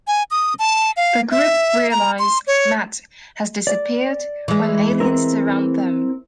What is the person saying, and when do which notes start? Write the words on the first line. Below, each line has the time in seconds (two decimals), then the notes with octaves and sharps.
The group realize Matt has disappeared, when aliens surround them.
0.07 G#5
0.31 D#6
0.59 A5
0.97 F5
1.31 E5
1.91 A#5
2.19 C6
2.47 C#5
3.67 D5
4.48 E3 G#3
5.00 C4 E4 A#4